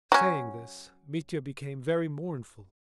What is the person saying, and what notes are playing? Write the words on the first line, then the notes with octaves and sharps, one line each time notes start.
Saying this Mitya became very mournful.
F#3 C#4